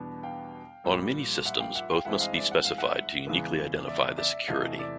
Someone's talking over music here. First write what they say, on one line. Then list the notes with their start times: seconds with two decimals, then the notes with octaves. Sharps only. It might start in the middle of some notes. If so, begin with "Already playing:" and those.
On many systems both must be specified to uniquely identify the security.
Already playing: E2 B2 G3 B3 D4
0.23 F5 G5
0.84 A#1 A#2 G3 A#3
1.46 E5 F#5
1.60 F5 G5
1.75 E5 F#5
1.90 F5 G5
2.05 G2 E3 G#3 C4 E5 F#5
2.21 D#5 F5
2.35 D5 E5
2.51 F#5
2.65 F5
2.78 E5 F#5
3.27 E2 C#3 E3 G#3 B3
3.88 D5 E5
4.18 D5 E5
4.48 E2 C3 E3 A3 D#5 F5
4.79 D5 E5